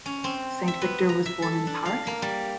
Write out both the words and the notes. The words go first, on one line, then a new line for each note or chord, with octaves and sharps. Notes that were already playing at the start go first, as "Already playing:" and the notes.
Saint-Victor was born in Paris.
C#4
C4
E5
B3
A#5
E5
A4
D4
F5
A#3
G3